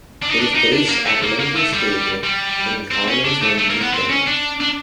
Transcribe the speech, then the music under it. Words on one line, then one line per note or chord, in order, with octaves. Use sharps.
It is based at Lyngby Stadion in Kongens Lyngby, Denmark.
D4
D#4
D4
D#4
D4
A#3
A3
A#3
A#3
A3
G3
G3
C4
C#4
D4
A3
A3
A#3
B3
C4
C#4
D4
D4